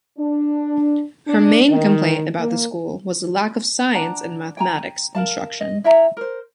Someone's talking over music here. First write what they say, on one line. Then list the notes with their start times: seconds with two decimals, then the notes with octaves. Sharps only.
Her main complaint about the school was the lack of science and mathematics instruction.
0.19 D4
1.28 D4
1.70 D#3
2.39 A#3
3.94 D4 F#5 A5 A#5
4.57 G5 G#5 A#5
5.15 A#4 F5 A5
5.61 D#5
5.84 E4 E5 G5 A#5
6.17 A#4 C5